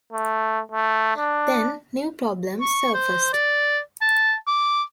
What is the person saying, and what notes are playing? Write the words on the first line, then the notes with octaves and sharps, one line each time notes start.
Then new problems surfaced.
A3
A3
D4
C#6
C5
D5
A5
D6